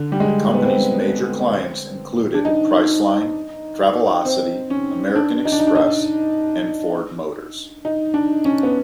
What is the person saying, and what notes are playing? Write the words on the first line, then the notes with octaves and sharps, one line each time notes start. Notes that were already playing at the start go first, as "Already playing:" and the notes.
The company's major clients included Priceline, Travelocity, American Express, and Ford Motors.
Already playing: D3
G3
G#3
B3
C4
D4
D#4
C4
C#4
D4
D#4
D4
D#4
D4
D#4
D#4
D4
C#4
B3